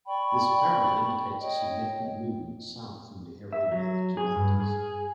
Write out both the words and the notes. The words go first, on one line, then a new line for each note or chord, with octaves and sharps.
This apparently indicates a significant movement south from the area near the Tubantes.
D5 G5 B5 C#6
C#5 D#5 G5
E5
F#3
G#4
G2
G#4